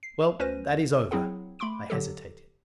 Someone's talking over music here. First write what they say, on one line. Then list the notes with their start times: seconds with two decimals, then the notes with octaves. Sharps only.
"Well, that is over." I hesitated.
0.03 C7
0.39 D2 C#4 B4 C5 A#6 D#7
1.11 F#3 C4 E4 G#4 F#5
1.59 A3 B5 C6 D6 D7
1.90 D3 F#3 G4 A4